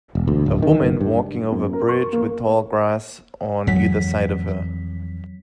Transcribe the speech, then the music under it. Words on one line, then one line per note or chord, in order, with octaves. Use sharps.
A woman walking over a bridge with tall grass on either side of her.
E1
D2
D1
D#3
F#1
G2
F#2
A#4
C#6
A#3
F2 E3 F#3 G#3 B6